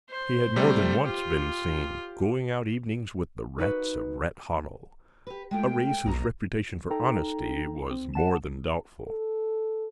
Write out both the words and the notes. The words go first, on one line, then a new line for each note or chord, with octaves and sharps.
He had more than once been seen going out evenings with the Rats of Rat Hollow,--a race whose reputation for honesty was more than doubtful.
C5
C3 G3 A3
F4 G4
D#4 F#4 B4
G4 B4
G#3 A3 F4 G5
B1 A#3 D#5 A#5
D#4 A4 G5 A#5
C4
F#5 A5 E7
A4